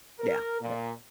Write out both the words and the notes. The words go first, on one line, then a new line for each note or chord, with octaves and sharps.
Yeah, yeah.
A#4
A#2